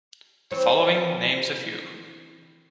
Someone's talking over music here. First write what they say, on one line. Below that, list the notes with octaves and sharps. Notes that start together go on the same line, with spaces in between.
The following names a few.
E3 C4 C#5